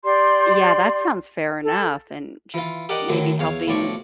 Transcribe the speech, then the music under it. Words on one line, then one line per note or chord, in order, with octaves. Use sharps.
Yeah, that sounds fair enough and just maybe helping
G4 D5 C6
A4
E3 F4
G4 A#4 D5 D#5 F#5
A2 D3 D#3 F#3
E2 C#5 F5
B1 A2 F3 D5 C#6